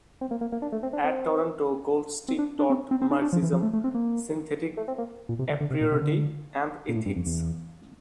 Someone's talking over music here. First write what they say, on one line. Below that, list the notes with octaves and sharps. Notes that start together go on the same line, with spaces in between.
At Toronto, Goldstick taught Marxism, synthetic apriority, and ethics.
C4
A#3
A#3
A#3
D4
A3
C4
D4
C4
C4
D4
D4
C4
C4
C4
D4
D4
F3
E3
F3
A3
A3
C4
A#3
A3
C4
A#3
A#2
C3
D3
D3
C3
A#2
C3
D3
A#2
A2
G2
F2
E2